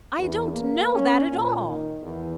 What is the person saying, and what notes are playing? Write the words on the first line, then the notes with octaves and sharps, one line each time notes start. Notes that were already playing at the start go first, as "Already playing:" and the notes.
I don't know that at all!
E2
A#3
C#4
A#2
D#3
E2